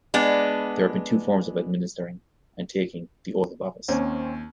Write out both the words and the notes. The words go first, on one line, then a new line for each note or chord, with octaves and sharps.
There have been two forms of administering, and taking, the oath of office.
G#3 B3 D4
D#2 C4 C#4